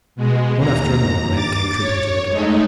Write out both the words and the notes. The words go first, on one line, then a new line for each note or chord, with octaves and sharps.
One after another, men came trooping to the door.
B2 G#3
D#2 A#5
D6 A6
C#5
G#3 A3 D#4